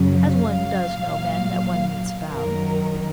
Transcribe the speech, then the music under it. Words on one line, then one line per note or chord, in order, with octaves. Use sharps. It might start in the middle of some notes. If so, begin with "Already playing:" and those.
"As one does know men that one meets about."
Already playing: F#2 C#3 F#3
F5
A#2 F#3
F#2 D#3 F#3 A#4